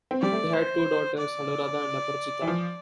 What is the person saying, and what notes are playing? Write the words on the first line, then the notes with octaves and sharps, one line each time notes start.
They had two daughters, Anuradha and Aparijitha.
C4
G3 D5
A3
C5
D5
E3
F3